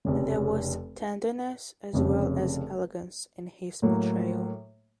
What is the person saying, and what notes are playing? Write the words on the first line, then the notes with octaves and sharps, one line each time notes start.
There was "tenderness as well as elegance" in his portrayal.
F1 F2 C#3
F1 F2 C#3
A2 F#3 A#3